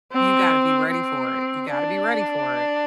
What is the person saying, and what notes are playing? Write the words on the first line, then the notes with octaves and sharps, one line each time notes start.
You gotta be ready for it. You gotta be ready for it,
C4
C4
D4